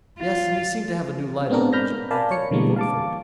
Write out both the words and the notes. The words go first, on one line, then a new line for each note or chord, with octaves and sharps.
"Yes, and he seemed to have a new light on the measure: I think will vote for it."
F4
G#3 B3 C4 D4 A#4
B5 F6 G6 A#6
A#4 D5 F5 G#5 A5 B5
C#5 C#7
B2 D3 E3 G3 G#3 A#3
F5 A5 D6